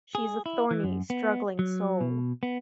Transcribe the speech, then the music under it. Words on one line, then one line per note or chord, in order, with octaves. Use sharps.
She is a thorny, struggling soul.
G#4
E4
E3
F#2
B3
F#3
B2
B3